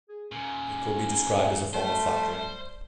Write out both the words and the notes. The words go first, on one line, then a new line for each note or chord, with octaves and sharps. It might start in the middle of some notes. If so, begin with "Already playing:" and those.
It could be described as a form of factoring.
G#4
D#2 A#2 C#4
G3 A3 C5